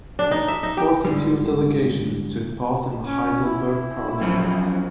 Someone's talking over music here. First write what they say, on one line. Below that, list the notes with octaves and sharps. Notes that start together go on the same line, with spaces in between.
Forty-two delegations took part in the Heidelberg Paralympics.
D4
D#4
E5
D#4
G4
G#2 D3 G3
C#4
E4
F#2 F3